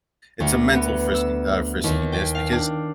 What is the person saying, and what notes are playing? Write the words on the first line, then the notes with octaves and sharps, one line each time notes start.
it's a mental frisky uh, friskiness because
D2
B3
E6
D#2
G5
F5
D4